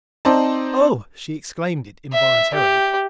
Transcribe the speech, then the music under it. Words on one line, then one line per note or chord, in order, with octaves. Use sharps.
"Oh!" She exclaimed it involuntarily.
C4 D#4 C5 D5 A5
E5
G4